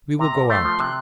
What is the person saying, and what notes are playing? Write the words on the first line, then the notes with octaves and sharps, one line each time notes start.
We will go out.
C3 A#5
C2
A3 C6
F3
C3 F#6